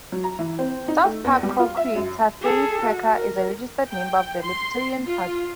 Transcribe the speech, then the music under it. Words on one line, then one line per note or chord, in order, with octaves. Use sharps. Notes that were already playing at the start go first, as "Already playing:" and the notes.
"South Park" co-creator Trey Parker is a registered member of the Libertarian Party.
F#3
A#5
E3
C4
D#4
A3
E2
G3
F4
E5
F#2
G#4 A4
F#4
A#4
G5
C6
F4